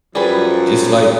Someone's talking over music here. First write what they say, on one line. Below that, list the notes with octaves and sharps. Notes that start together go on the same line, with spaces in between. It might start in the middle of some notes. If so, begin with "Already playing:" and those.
just, like,
F#2 F3 G3 G#4 B4